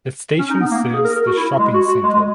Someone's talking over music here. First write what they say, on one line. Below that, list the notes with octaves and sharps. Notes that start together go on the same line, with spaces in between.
The station serves the shopping center.
C#4
D#4
B3
A#3
G#4
A#4
A#4
F#4
E4
G#3
F#4
F#4
G#3
G#3